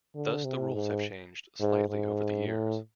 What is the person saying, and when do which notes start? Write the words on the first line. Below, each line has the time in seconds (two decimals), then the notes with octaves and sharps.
Thus, the rules have changed slightly over the years.
0.15 D3
0.44 C3
0.74 G#2
1.60 G#2
1.89 G#2
2.47 A2